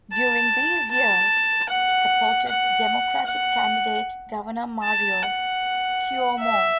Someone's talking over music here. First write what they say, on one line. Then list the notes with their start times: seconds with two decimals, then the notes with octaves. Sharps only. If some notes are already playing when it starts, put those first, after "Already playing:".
During these years, he supported Democratic candidate Governor Mario Cuomo.
0.13 A5
0.91 A5
1.70 F#5
2.48 F#5
3.27 F#5
4.84 A5
5.22 F#5
6.40 E5